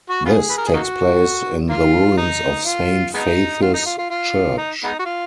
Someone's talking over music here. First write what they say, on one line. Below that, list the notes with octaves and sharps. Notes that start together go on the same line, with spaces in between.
This takes place in the ruins of Saint Faith's Church.
F#4
B3 F4 G#4
B4
A#4
G#4
A#3 D#4 F#4
A#3 F4
D#4
F4
G#3 B3 D#4
F4
D#4
F4
F4
F4
D#4
G#3 B3 D#4
F#4
F4